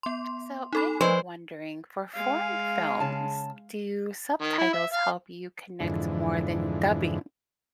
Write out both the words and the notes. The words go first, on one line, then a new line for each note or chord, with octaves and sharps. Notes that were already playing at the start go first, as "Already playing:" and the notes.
So, I am wondering, for foreign films, do subtitles help you connect more than dubbing,
B3 C6
D#4 A4 B5
F3 B4 C5 D#5
G#3 F5
C#3 A5
D#3
E4
E5
F5
F2 G#2 D3 E3